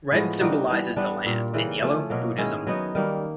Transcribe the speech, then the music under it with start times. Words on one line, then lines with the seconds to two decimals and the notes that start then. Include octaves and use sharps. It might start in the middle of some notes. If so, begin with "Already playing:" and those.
Red symbolises the land and yellow, Buddhism.
0.12 A2 F3 G#3 B3
0.40 G3 A#3 D#4 F#4
0.68 E3 G3 B3
0.96 E3 G3 B3 D4
1.24 A#2 G3 A#3
1.53 C#3 E3 G3 A#3
1.82 F3 A3 C#4
2.10 B2 F#3 A#3
2.38 D#3 G#3 C#4 E4
2.67 F#3 B3 D#4
2.95 D#3 G3 A#3